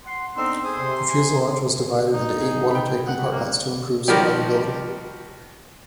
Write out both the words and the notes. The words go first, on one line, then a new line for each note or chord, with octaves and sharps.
The fuselage was divided into eight watertight compartments to improve survivability.
F#5 C6
D3 B3 C4 D#4 C6 E6
G#4 C5 D#6
C3 C6
G#5
D#4
G#4
G5 B5
F#5
A#3
D#3 F3 G3 F#4 G4 A#4